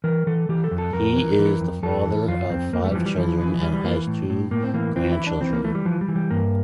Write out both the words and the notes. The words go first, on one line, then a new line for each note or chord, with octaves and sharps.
He is the father of five children and has two grandchildren.
E3 A#4
E3 A4
E3 G4
A4
F2
A4
F2 A#4
E3
E3
F2
F2 A4
E3
F2 F4
F2 C4
F2 A#3
A3
G3
E3 F3
G3
E3 F3
E3
E3 G3
G3
E3 A#3
A2
A2
A2 A#3
C4
E3 A#3
E3 C4
E4
E3
D4
E3 C4
A#3
E3 A3
G3
E3 F3
G3
E3
G3
G2 A#3